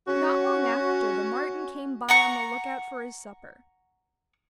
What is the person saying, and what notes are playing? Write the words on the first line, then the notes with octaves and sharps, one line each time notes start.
Not long after the marten came by on the look out for his supper.
C#4 F#4
F#5 A#5 C#6